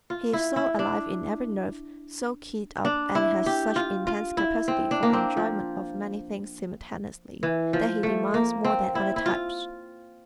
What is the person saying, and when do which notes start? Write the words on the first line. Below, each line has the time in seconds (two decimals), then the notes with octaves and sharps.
He is so alive in every nerve, so keyed-up and has such intense capacity for enjoyment of many things simultaneously that he demands more than other types.
0.10 F4
0.33 E4
0.56 E4
0.79 D4
2.85 D4
3.15 E4
3.46 G4
3.76 F4
4.07 F4
4.37 E4
4.68 C4
4.91 D4
5.03 A#3
5.13 C4
5.37 F3
7.43 E3
7.73 F3
8.03 A3
8.34 A#3
8.65 C4
8.95 E4
9.16 E4
9.26 F4